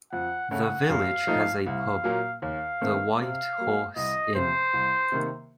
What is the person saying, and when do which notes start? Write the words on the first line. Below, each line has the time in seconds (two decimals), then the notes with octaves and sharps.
The village has a pub, the "White Horse Inn".
0.12 F2 F#5
0.51 C#3 A3 C#4 F#5
0.89 F#2 F5
1.27 F3 A3 D#4
1.66 C2 F5
2.04 A#2 F#3 A#3 F4
2.42 D#2 F5
2.81 D#3 A3 C4
3.20 C3 F5
3.58 F#3 A#3
3.96 C2 D#5
4.35 C3 F3 C4 F4 C5
4.73 C2
5.12 C3 D#3 A#3